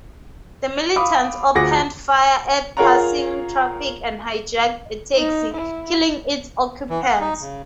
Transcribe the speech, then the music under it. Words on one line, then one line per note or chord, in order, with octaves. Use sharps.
The militants opened fire at passing traffic and hijacked a taxi, killing its occupants.
F5 B5 D6 D#6
D2 F4 G#4 F#5 D6 A#6
F4 G#4 A#4 C#5 F#5 A#5
D#4
E4
E3
F#5
D#4
C#3